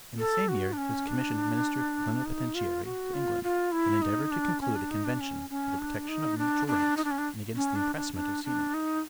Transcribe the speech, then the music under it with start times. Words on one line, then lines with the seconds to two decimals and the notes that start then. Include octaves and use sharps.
In the same year he was commissioned Minister Plenipotentiary to England, and endeavored to conclude a convention for the protection of neutral rights, and against the impressment of seamen.
0.19 A4
0.48 F#4
0.73 D4
0.78 C#4
1.08 D4
2.26 D#4
2.55 F4
2.85 F#4
3.14 F4
3.44 F4
3.72 E4
4.02 D#4
4.31 D4
4.61 C#4
4.75 D4
4.91 D#4
5.05 D4
5.20 C#4
5.50 C#4
5.79 D4
6.09 D#4
6.38 D4
6.67 D4
6.97 D#4
7.04 D4
7.11 C#4
7.18 D4
7.56 C#4
7.76 D4
7.96 D4
8.15 D4
8.44 D4
8.74 D#4